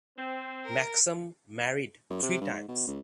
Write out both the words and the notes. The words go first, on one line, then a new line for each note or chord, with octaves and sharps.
Maxam married three times.
C4
A#4
F#2
C3
G2
G#2
B2
C#2